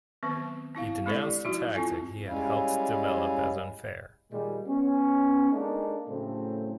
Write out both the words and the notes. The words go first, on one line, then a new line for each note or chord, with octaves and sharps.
He denounced the tactic he had helped develop as unfair.
D#3 F#3 B3 C4 B4
C4 E4 F5
G#3 D4 E4 G4 A4 D5
F3 F#3 D#4 E4 F#4
C4 E4 F4 A4 G#5
G3 G#3 C#4 E4 F5
A#2 D#3 G3 G#3
B3 C#4
G#3 A#3 D4 D#4 A4
A2 C#3 F#3 A3 C4